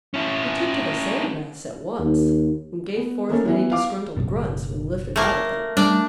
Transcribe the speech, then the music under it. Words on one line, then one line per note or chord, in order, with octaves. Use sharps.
He took to the sand baths at once, and gave forth many disgruntled grunts when lifted out of them.
C#4 E4
D#2
B3
A3 A#3 C#4 A4
E3 B3 E4
F5 D6
F#1 B1 C#3
A3 A#3
G3 A3 D4